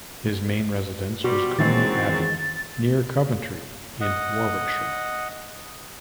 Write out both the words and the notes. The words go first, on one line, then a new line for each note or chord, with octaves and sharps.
His main residence was Coombe Abbey, near Coventry in Warwickshire.
B2 F3 G3 F#4 G4
F#2 D#3 E3 F#3 G#3 C4 A6
D#5 F#5